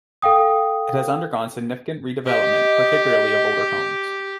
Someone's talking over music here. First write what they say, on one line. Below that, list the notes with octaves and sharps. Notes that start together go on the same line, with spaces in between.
It has undergone significant redevelopment, particularly of older homes.
A4 F5 G5 D#6
G4 D#5